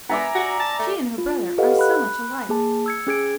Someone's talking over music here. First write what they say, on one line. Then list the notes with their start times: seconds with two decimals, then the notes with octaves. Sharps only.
She and her brother are so much alike!
0.09 B3 D5 E5 G#5 A#5
0.35 F#4
0.60 A5
0.79 A3
1.18 F4
1.58 G4 A4 B4 D#5 F5 F#5
1.79 B5 F#6
2.49 A#3 G#4 A5
2.86 E6 G#6 C#7
3.07 C#4 G#4 G#6 D7